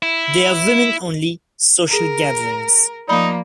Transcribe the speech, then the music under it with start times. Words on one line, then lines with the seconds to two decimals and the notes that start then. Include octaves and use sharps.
They are women-only social gatherings.
0.03 E4
1.90 G#4 A#4 D7
3.08 F3 A#3 D#4 D5 B5